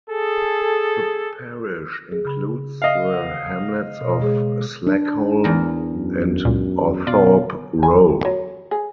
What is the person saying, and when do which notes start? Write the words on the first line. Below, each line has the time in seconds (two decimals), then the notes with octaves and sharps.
The parish includes the hamlets of Slackholme and Authorpe Row.
0.10 G#4 A4
2.12 G#4
2.25 C#3 B5
2.82 D#5 F5
3.12 F#5
4.01 B2 C#5
4.20 G#3 G#4
4.87 D4
5.44 E2 A#4
5.93 F#2
6.45 C#2 A#2
7.07 B2 F4 D5
7.83 G#5
8.25 F#3
8.71 G#4